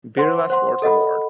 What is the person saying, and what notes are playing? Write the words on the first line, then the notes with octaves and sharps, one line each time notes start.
Birla sports award.
C5 F#5 C6
C5 F#5 C6
A4 D#5 F#5 B5